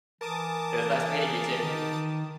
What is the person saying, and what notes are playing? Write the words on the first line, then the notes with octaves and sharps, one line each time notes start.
It was nice meeting you too.
E3 A#4 A5 D6 D#6
D#3